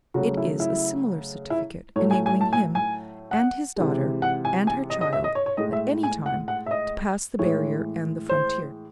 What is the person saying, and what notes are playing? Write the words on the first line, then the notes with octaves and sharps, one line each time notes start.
It is a similar certificate, enabling him and his daughter and her child, at any time, to pass the barrier and the frontier!
C#3 F#3 A3 F#4
E4
E4
E4
A2 F#3 A3 C#5
G#5
G#5
A5
G#5
G#5
F#5
C3 E3 G#3
F#5
G#5
G#5
D#5
D#5
E5
D#5
C#5
C#5
A2 G#3 D#5
E5
G#5
F#5
F#5
E5
D#5
A2 E3 G#3 C#5
C5